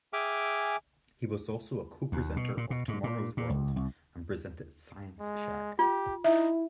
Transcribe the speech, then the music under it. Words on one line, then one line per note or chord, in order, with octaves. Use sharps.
He was also a co-presenter of "Tomorrow's World", and presented "Science Shack".
G#4 E5 G5 G#5 D6 F6
D#2
B2
A#2
B2
G#2
A#2
A#2
C#2
C2
G#3
F4 G4
D#4 E4 E5